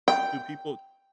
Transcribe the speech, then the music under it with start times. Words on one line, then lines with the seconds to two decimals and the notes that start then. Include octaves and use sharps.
do people
0.08 G5